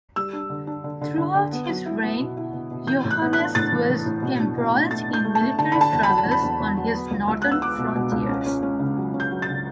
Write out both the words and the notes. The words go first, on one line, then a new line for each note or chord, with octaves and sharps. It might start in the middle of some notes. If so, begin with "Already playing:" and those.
Throughout his reign, Yohannes was embroiled in military struggles on his northern frontiers.
G3 E6
D4
D3
D4
D3
D3
D3
D3
B3
F#3
E4
B3
B2
E4
B2
B2
E3 G6
A2
F#6
B3
F#6
D4
A2 A6
E3
E3
A2
B2
D4
B2
A3
A3 A6
D4
G6
A3
A5
A3
D3 A5
D3 B5
A5
E2
B5
F#3
A5
E2
B5
E2
E2
F#3
B3
C#2
C#2
B3 F#6
E6
B3 D6
B2
B2
C#2
C#4
C#4
C#4
C#3
F#3
C#4
G6
F#3
A6
C#3